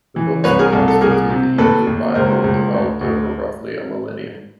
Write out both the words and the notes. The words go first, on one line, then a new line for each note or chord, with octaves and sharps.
The books that constitute the Hebrew Bible developed over roughly a millennium.
E3
C2 B4 C#5
G#4 A#4
C2 A4
A4
C2 G#4 A#4
C3
D#2 A4 B4
D#2
C#2 A#4 C5
C#2
D2
D2